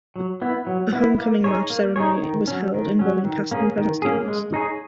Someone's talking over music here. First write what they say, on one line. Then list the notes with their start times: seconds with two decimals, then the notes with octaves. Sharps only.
A Homecoming March ceremony was held involving past and present students.
0.16 F#3
0.42 B3 E4
0.67 F#3
0.93 B3 E4
1.18 A#3
1.44 D#4 G#4 C#5
1.70 A#3
1.96 D#4 G#4 C#5
2.23 D#3
2.48 F#3 C#4
2.74 D#3
2.99 F#3 C#4
3.25 D#3
3.51 A#3 C#4 G#4
3.77 D#3
4.02 A#3 C#4 G#4
4.28 G#3
4.54 D#4 G#4 C#5